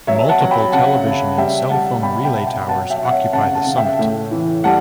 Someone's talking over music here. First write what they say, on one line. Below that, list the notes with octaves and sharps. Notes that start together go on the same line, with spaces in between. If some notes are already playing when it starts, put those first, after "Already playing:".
Multiple television and cell phone relay towers occupy the summit.
F#3 C#5 E5
F#5 A5
F#3
G5 B5
C#3 F#5 A5
C#3
G3 E5 G5
G3 F#5 A5
B2 G5 B5
G5 B5
B2
G5 B5
F#3 F#5 A5
E5 G5
F#3 F#5
C#5 E5
C#3 F#5 A5
F#5 A5
C#3
E5 G5
A2
E3
G3 F#5 A5